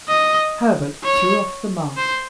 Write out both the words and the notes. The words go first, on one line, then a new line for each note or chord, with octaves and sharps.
Herbert threw off the mask.
D#5
C#5
C5